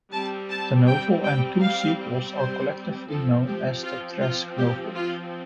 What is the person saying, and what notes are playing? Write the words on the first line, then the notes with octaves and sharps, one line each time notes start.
The novel and two sequels are collectively known as the Trask novels.
G3 C4 A5
A5
G5
G5
F5
C5
F3 C4 A4
G4
F4
F4
G4
F4